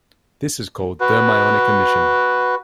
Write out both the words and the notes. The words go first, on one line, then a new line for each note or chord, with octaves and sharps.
This is called thermionic emission.
F#4 B4